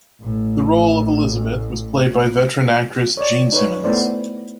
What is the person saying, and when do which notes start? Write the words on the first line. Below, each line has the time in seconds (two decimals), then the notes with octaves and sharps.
The role of Elizabeth was played by veteran actress Jean Simmons.
0.22 A1 A2
3.17 C#5 D5
3.52 D#4 B4 C#5
3.84 A3 B3 E4 C5 D5